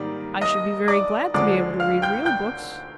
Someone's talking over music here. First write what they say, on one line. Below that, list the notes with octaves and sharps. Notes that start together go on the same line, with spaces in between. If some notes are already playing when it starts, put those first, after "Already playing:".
'I should be very glad to be able to read real books.
Already playing: G#2 D#3 G3 A#3 D5
D#5 D#6
D5 D6
D2 D3 F3 G#3 D5 D6
F5 F6
G5 G6
G5 G6